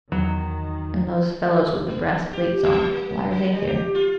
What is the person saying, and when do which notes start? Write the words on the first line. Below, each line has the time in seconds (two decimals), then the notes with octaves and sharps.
And those fellows with the brass plates on, why are they here?
0.12 E2 D#3 F#3
1.87 B3
2.33 G4
2.63 E3
2.91 A#3
3.31 A#3
3.52 G3
3.67 G4
3.94 F4